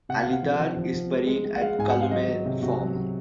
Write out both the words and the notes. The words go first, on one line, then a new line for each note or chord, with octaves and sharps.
Alydar is buried at Calumet Farm.
C3 F#5
F5
C3
F#5
F3
F3
F3
F3
G#3
G#3
G#3
F#5
G#3 F5
G#2 G#5
F#5
G#3
F5
F#3 D#5
F#3
C3
C3 F#4
F#3
F#3